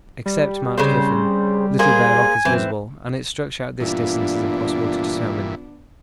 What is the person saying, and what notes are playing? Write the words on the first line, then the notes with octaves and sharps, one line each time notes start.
Except Mount Kyffen, little bare rock is visible, and its structure at this distance is impossible to determine.
G3
C#3 C4 C5
A#3 G#4 C5 G#5
F#2 E3 C4
G2 A#2 E3 B3 D4 F4